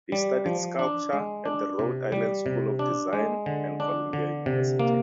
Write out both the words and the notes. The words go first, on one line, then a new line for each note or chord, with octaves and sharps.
He studied sculpture at the Rhode Island School of Design and Columbia University.
G3
F3
D4
G#3
D4
C3
G3
C3
D4
G#3
D3
D4
D3
C3
A#3